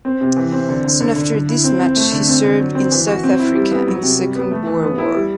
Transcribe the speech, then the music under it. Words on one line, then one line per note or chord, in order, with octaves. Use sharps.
Soon after this match he served in South Africa in the Second Boer War.
C4
C3
E3
C4
D3
D3
D3
D3
D3
E4
C4
C4
A3
D3
C4
D3
F#3
C4
E3
F#4
C4
E4
G3
B3
F#3
C3
G3
B3
A3
E3
B3
E4
G3